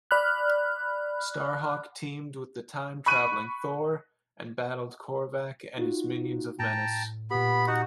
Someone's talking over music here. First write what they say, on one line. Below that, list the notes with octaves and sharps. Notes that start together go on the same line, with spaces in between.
Starhawk teamed with the time-traveling Thor, and battled Korvac and his Minions of Menace.
D5 B5 F6 F#6
B5 C#6 F#6 D#7
D#4 F4 F#4
A2 G5 A5 A#5
A#2 B3 G4 B5
D#4 F#4 F#5